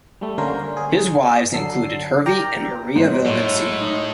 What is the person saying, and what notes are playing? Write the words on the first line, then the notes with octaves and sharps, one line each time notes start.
His wives included Hervey and Maria Villavincie.
G3 A3
D3 A#3 C#4 A#4 C5
G#4
D3 F#3 A4 C7
G4 A#4 D5 G5 A#5
G#2 F3 C#5
A2 F#3
D#4